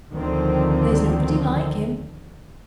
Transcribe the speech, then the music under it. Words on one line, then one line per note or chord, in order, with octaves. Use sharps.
There's nobody like him.
D2 D3 D#3 F3 C4